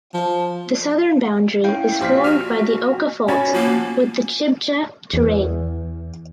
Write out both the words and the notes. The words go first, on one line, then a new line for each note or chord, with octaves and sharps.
The southern boundary is formed by the Oca Fault with the Chibcha Terrane.
F3
C#4 E4 F5 G5
A#1 G4 C5 F5 B6
F#4 F6
C#4 F#4 B5 A6
F3 A#3 F#4
E2